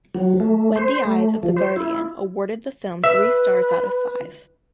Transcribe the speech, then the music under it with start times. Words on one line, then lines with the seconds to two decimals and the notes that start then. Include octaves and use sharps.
Wendy Ide of "The Guardian" awarded the film three stars out of five.
0.15 F#3
0.40 A3
0.76 C5
1.05 A3
1.43 F3
1.57 C5
1.76 E4
3.04 B4 E5